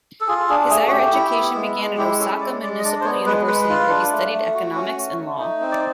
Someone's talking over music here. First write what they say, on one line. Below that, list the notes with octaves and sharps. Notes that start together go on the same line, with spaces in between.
His higher education began at Osaka Municipal University, where he studied Economics and Law.
A4
F4 G#4
D4 G#4
A3 G#4
F#4
A3 G4
E4
B3
G#3
G#3
E4 G4
C#4 A4
G#3 D5
G#3 D5
D#5
D4 D5
C5
B3 C#5
G#3 B4
G#3 B4
F4
D4
A3
A3
F#4
C#4
A3
A3
D#4
C4
D5